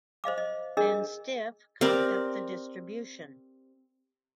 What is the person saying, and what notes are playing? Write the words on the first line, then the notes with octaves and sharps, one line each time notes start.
Then Stiff cocked up the distribution.
C5 D#5 F5 D6
D#5
D4 G#4 A#4 D#5
C4 G4 A#4 D5